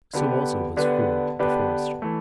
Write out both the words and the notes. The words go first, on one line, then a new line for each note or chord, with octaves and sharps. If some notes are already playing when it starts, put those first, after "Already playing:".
So also was Ford, the forester.
D3 B3 D4 G4 B4
D3 B3 D4 G4 B4
D3 B3 D4 G4 B4
E3 A3